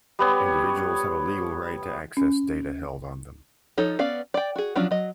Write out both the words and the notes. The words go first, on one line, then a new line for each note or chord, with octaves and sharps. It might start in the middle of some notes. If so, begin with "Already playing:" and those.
Individuals have a legal right to access data held on them.
G3 B3 C#5
C#4
F3 D#4 A4 C#5
B3 C#4 D5 F5
D5 G5
F#4 G#4
F3 F#3 C#4 D4 F4
F#3 D#5